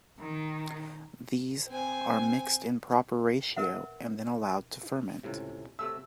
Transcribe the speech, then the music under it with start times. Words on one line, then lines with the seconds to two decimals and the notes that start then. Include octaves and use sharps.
These are mixed in proper ratio and then allowed to ferment.
0.20 D#3
1.67 C4 G#5
3.56 A#4 B4 E5 F#5
5.23 C#2 A2 C3
5.79 C3 A3 E5 E6